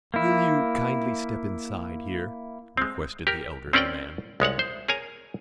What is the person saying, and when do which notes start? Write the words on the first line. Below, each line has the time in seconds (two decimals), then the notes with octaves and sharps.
"Will you kindly step inside here?" requested the elderly man.
0.14 A#3 E4
2.77 G#3 C4
3.27 G4 A#4
3.73 C4 C#4 A#4 D5 F#5 G5
4.40 C2 G#3 C#5 F#5
4.59 C5
4.88 G#4 A#4 C#5 G#5 A#5